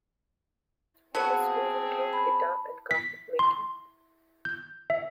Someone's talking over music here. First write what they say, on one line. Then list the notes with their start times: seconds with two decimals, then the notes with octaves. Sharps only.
Industries include guitar- and carpet-making.
1.15 C#3 F#3 B3 C4 F#4 G#4 A5
2.13 B5
2.91 B6
3.39 C6
4.45 G6
4.90 E5